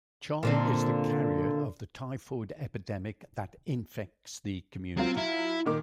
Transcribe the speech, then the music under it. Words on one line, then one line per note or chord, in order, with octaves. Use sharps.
Charlie is the carrier of the typhoid epidemic that infects the community.
A#2 D3 C4
F#3 C4 F4
E4
A#2 D#3 D6